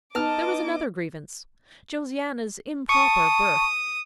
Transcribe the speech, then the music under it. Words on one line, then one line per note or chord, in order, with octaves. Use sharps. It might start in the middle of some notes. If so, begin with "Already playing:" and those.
There was another grievance, Josiana's "improper" birth.
B3 D#4 D#5 A5 D6 F6
A5 C#6 D#6